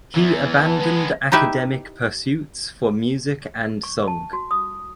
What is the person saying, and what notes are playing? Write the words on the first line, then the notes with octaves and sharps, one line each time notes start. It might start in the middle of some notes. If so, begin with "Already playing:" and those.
He abandoned academic pursuits for music and song.
E2 E3
B4 A5
G#3 B3
D#4 E4 G4 B4 E5
C#6
A5
F#4
D#6